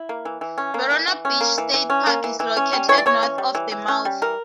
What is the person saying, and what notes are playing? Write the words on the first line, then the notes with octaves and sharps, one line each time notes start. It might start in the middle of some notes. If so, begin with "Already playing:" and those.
Verona Beach State Park is located north of the mouth.
Already playing: E4
A#3
E3
E3
C#4
A#3
E3
E3
C#4
A#3
E3
E3
C#4
A#3
E3
E3
C#4
G3
E3 C#5
D5
E3 C#5
C#4
G3
E3
E3
C#4
G3
E3 A#4